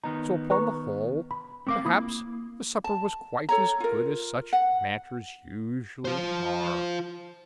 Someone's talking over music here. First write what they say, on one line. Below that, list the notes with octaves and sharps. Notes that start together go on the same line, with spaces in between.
So upon the whole, perhaps, the supper was quite as good as such matters usually are.
D#3 B3 D#4 A#5
B4 A#5 C#6
B5
A3 C4 A#4 F5 D6
A#3 E4 B5 D#6
A5
A4 C#5 A#5
F4 A#4
F#5
F4 C5